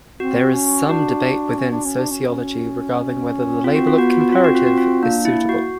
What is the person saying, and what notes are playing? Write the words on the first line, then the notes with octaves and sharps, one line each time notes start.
There is some debate within sociology regarding whether the label of 'comparative' is suitable.
C4 F#4
C#4
D4 F#4
C#4
D4
C#4
D4
C#4
C#4
C4 F4
F#4
F4
B3 F#4
F4
F#4
C4 F4
F#4
F4
F#4
F4
A#3 D4
E4
F#4